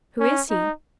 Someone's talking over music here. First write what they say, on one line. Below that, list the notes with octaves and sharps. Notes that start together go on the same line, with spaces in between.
Who is he?
C#4
D#4